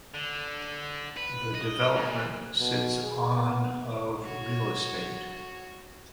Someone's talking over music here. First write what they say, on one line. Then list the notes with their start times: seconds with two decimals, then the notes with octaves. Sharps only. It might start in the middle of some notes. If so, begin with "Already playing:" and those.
The development sits on of real estate.
0.14 D3
1.17 B4
1.54 D#5
1.97 A#2
2.59 B2
3.03 G#4
3.34 B3
4.23 F#4 C#5